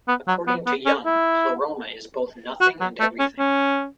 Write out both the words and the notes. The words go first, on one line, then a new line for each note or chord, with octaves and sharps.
According to Jung, pleroma is both nothing and everything.
B3
F#3
B3
B3
C#4
E4
F#4
F#3
A3
C#4
C#4